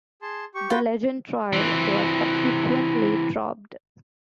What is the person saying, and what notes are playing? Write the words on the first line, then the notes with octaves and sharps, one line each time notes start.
The "Legend" trial was subsequently dropped.
G#4 A5 C6
G4 C#6
F4 F#4 B4 G5
E3 C4